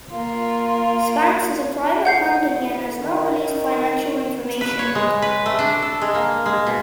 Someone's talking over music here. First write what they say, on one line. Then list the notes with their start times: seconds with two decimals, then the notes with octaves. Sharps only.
Spanx is a private company and has not released financial information.
0.11 A#3 F4
2.05 D2 A2 F#5 G6 C7
3.00 D#3
4.61 B4
4.79 C#5
4.95 G#3
5.22 B4
5.46 A3
5.59 D4
5.82 A4
6.01 G#3
6.14 A#3
6.46 G#3
6.67 B2